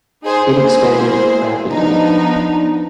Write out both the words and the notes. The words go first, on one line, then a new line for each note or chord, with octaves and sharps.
It expanded rapidly.
D#4 G#4 C5
G#3 A#3 E4 G#4 C5
F3 B3 D4 D#4